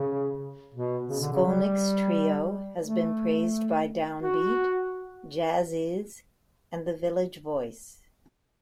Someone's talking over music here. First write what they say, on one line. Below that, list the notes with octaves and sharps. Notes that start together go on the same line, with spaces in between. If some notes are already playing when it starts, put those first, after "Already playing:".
Skolnick's trio has been praised by "Down Beat", "Jazziz", and "The Village Voice".
Already playing: C#3
B2
C#3
D3
C#3
G3
A3
F#4